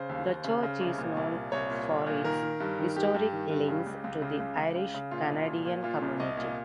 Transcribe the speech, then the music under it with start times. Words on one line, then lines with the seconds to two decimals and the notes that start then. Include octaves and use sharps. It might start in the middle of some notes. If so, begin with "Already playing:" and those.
The church is known for its historic links to the Irish Canadian community.
Already playing: C#3 C5
0.09 D#2
0.27 D#2
0.44 C#3
0.63 C#3
0.81 C2
0.98 A#2
1.17 C2
1.35 A#2
1.52 C2 C#5
1.71 A#2
1.89 C2
2.06 A#2
2.24 D#3 A#4
2.43 D#3
2.60 G2
2.79 D#3
2.96 G2 G4
3.14 G2
3.32 D#3
3.50 G2
3.68 C#3
3.87 C#2
4.04 C#2
4.22 C#3
4.40 C#2
4.58 C#2
4.76 C#3
4.94 C#3
5.11 A#2 F4
5.30 C2
5.48 A#2
5.65 A#2
5.84 A#2 F4
6.02 C2
6.20 C2 D#5
6.37 A#2